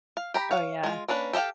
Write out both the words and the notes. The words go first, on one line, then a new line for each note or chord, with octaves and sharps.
Oh, yeah.
F5
G4 A#5 B5
C#5 F5
G#3 F4
A#3 C#4 D4 B4
G4 A4 D#5 F5 G5